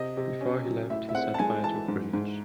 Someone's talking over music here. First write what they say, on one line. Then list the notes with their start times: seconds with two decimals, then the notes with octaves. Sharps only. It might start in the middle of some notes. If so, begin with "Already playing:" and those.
Before he left he set fire to "Greenwich".
Already playing: C3 D#5
0.17 C3
0.41 C#4
0.65 F#3
0.90 A2 E5
1.09 E5
1.14 C4 F#5
1.34 A5
1.39 G#3 G#5
1.64 E3 A5
1.88 G#2
2.14 G#2